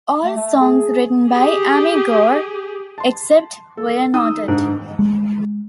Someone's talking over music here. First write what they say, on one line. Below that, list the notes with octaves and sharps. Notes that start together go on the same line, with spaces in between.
All songs written by Amy Gore, except where noted.
A3
A3
G#4
G4 G#4
A5 C6
A4
D#4 D#6 E6
G#2 D4
G#3